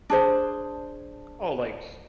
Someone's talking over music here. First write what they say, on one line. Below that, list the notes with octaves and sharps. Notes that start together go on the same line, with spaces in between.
"Oh, like,
D4 G#4 C5